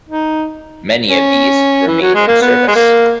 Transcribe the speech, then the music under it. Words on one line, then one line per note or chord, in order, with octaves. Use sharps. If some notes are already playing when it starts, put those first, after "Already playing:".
Many of these remain in service.
D#4
C#4
E3
F#3
G#3
A#3
B3
G#3
A#3